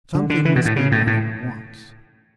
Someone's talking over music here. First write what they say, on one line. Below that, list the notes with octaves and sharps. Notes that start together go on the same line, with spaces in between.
Something must be done at once.
D3
D3
E3
B2
A2
C#3
A2
A2